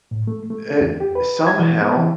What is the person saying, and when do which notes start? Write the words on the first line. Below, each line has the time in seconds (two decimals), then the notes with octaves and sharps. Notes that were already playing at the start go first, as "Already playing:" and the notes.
it somehow,
0.11 A2
0.27 A3
0.50 A3
0.81 E2
1.00 G4
1.15 B4
1.47 G#6
1.59 E3
1.81 B3
1.98 E3